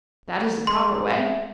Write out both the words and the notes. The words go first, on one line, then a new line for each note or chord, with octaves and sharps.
"That is the proper way."
G#3 C6
E5